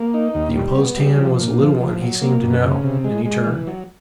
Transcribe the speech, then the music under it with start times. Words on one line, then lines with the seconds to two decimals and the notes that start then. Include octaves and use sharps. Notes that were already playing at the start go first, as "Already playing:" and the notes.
The imposed hand was a little one he seemed to know, and he turned.
Already playing: A#3
0.14 D#4
0.35 D#2
0.55 G3
0.77 B3
0.97 G3
1.18 F3
1.39 A#2
1.60 F3
1.80 F3
2.01 F#3
2.21 A#3
2.43 F#2
2.63 C#3
2.84 C3
3.04 G#3
3.26 G#3
3.47 E3
3.67 F#3